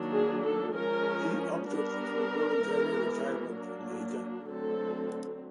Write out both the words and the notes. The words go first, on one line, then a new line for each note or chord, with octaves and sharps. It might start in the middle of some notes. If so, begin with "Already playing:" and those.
He opted for voluntary retirement later.
Already playing: D#3 F#3 A#3 D4
G#4
A4
F3 G#3 C#4 A#4
G3 B3 D4 A#4
E3 G#3 B3
F#3 A#3 D4
D3 F#3 A3 C4 A4